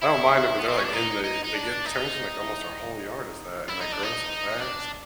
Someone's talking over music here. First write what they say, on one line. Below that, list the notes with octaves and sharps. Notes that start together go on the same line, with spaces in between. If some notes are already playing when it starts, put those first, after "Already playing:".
I don't mind it, but they're, like, in the they get turns in, like, almost our whole yard is that, and they grow so fast
E4
B3
C4
C#4
D4
D#4
D#4
D#4
D4
D#4
E4
D#4
D4
D#4
D4